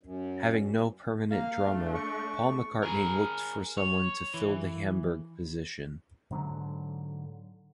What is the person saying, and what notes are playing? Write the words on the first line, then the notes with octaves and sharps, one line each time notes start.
Having no permanent drummer, Paul McCartney looked for someone to fill the Hamburg position.
F#2
A#3 F5
A3 D4
C#6
G#4 A#4
C#5
E3
G#2 D3 F#3